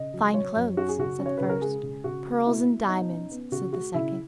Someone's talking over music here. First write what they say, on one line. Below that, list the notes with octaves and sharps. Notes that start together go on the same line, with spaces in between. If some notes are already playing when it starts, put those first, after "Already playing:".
"Fine clothes," said the first: "Pearls and diamonds," said the second.
Already playing: C#3 D#5
F#3
F#3 C#5
F#2
C#4 F#4
G#4
C#3 F#4
C#4
C#5
C#3 B4
A#4
G#3 G#4
C#3
C#3 F#4
G#3
B2 E4
B2
B2 D#4
C#4
B3
C#3 F#4
G#3 F#4
C#3 E4